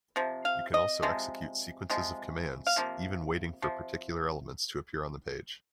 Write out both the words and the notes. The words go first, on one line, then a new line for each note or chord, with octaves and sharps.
You can also execute sequences of commands, even waiting for particular elements to appear in the page.
C3 F3
F5
D#5
C3 F3 G#3
C3 F3 G#3
F5
C3 F3 A#3
C3 F3